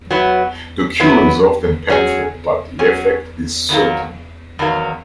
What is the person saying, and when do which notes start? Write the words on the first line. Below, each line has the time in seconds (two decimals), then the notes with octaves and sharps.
The cure is often painful, but the effect is certain.
0.11 F#3 B3 E4
1.00 F#3 B3 E4
1.90 F#3 C#4 G#4
2.79 F#3 C#4 G#4
3.69 E2 D#3 F#3 A#3
4.59 E2 D#3 F#3 A#3